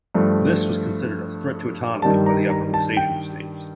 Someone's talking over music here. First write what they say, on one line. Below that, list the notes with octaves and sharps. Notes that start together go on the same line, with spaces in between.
This was considered a threat to autonomy by the Upper Lusatian estates.
G2 F3 A3
G2 D#3 G3 A5
A#5
A#5
A5
G5